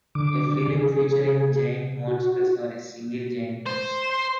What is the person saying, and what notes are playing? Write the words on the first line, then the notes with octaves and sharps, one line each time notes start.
A film featuring giant monsters or a single giant monster.
D3 D6
G#4
F#4
C5